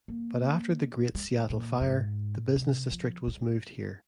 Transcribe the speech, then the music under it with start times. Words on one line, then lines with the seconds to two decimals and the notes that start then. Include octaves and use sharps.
But after the Great Seattle Fire, the business district was moved here.
0.08 A#3
1.15 G#3
1.50 A#2
1.81 F2
1.86 G#2
2.56 C3
2.92 F3
3.28 G#3